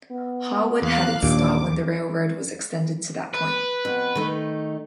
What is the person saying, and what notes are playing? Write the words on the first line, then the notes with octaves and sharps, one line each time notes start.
Harwood had its start when the railroad was extended to that point.
B3
E2 F5 F#6
D#2 A#2 D4 D6
B4
F2 B3
D#3 A3 D#4